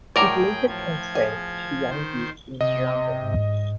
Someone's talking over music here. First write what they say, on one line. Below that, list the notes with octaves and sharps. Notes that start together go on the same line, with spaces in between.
It later transferred to the Young Vic in London.
A2 F#3 G#4 A#4 D5 G5
F3 G#6
G#4
D#3 C5
C3 D#5
G#2